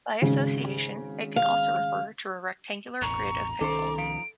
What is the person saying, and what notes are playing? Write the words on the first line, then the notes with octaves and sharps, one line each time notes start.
By association, it can also refer to a rectangular grid of pixels.
G#1 C#3
F5
E1 A1 A#5 C#6
C2 D#3 C#4 A4 A#4 C5 D6
F3 D7